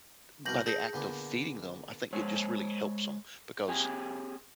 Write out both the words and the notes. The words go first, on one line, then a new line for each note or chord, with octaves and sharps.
by the act of feeding them, I think it just really helps 'em because
C2 B2 A#4 G6 A#6 F#7
G#4 A4 G6 A#6
A#2 D3 B3
G#3 C5 C#5
C4 G4 G#4 G#5